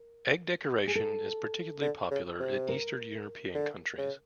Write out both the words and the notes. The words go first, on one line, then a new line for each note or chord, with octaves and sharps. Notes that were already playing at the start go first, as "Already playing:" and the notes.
Egg decoration is particularly popular in Eastern European countries.
Already playing: A#4
G#4
A4
D3
C#3
C3
A#4
D3
C#3